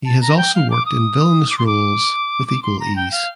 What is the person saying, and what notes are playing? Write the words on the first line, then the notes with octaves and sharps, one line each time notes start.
He has also worked in villainous roles with equal ease.
A5
A#5
G5
F5
D6
D#6
D6
C6
D6
D6
C6
A#5
G5
F5